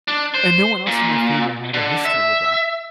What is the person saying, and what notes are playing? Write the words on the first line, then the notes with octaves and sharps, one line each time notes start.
And no one else in my family had a history of that.
D4
C5
A#2
D3
E5